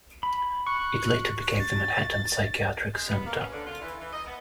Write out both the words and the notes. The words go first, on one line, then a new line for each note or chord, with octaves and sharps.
It later became the Manhattan Psychiatric Center.
B5
C#6 F#6
A6
G#3
B3
A#3
C#4
D3
F4
E3
E3
D#5
B3